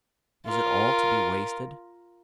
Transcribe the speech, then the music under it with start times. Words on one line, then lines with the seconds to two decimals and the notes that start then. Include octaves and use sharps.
Was it all to be wasted?
0.46 F4 A#4